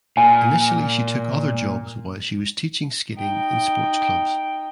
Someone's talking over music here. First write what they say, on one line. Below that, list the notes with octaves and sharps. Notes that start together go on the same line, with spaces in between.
Initially she took other jobs while she was teaching skating in sports clubs.
A#2 G#5
D#4 G5